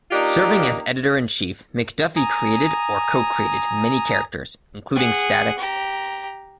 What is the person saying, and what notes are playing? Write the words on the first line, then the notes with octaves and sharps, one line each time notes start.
Serving as editor-in-chief, McDuffie created or co-created many characters, including Static.
A#3 D4 D#4 F4 G4
G#5 A#5 D#6
G#4 F#5
G4 A#5